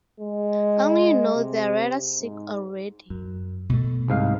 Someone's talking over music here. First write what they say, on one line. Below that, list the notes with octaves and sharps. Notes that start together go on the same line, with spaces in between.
Only you know they're rather sick already.
G#3
C3
G#2
F#2
B2 A3
C2 G#2 F5